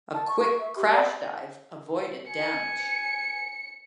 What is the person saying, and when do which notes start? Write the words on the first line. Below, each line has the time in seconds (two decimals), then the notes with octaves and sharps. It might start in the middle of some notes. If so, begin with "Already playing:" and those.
A quick crash dive avoided damage.
0.14 A5
0.28 C#6
0.42 C#6
0.60 E5
0.76 G4
0.92 D5
2.29 G#5 C#7